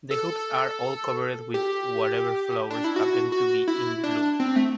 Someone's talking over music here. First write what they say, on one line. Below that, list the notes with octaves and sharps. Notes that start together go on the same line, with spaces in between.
The hoops are all covered with whatever flowers happen to be in bloom.
A4
G4
D4
E4
F#4
F#4
E4
D4
C4
A3